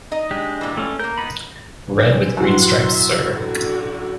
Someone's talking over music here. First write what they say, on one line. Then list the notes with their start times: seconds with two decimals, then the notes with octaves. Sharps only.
Red, with green stripes, sir.
0.12 D#4 D#5
0.31 G#3 D4 G4
0.61 A#2 E3
0.77 A3 C#4
1.00 A#3 A#4 G6
1.18 B3 D#4 B5
1.91 E3 C4
2.37 F#2 A2 F#3 F#5 C6
2.89 E5
3.31 D3 F#4